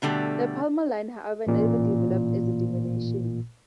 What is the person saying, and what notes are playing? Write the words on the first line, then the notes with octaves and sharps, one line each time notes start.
The "Palmer line" however, never developed as a denomination.
B2 D3 G3 A3
A1 A#2